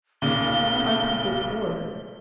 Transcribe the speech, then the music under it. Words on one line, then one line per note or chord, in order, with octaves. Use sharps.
Why are people poor?
B1 A#2 C#3 G7